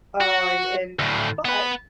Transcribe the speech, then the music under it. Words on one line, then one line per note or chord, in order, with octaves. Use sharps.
Oh, and and but
F#4
D2 A2
B3 B4